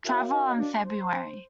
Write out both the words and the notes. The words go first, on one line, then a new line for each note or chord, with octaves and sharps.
Tarver in February.
E4 F#4 A#4 C#5 E5 F5
D#4 D#5
D#5
D4 D5
C5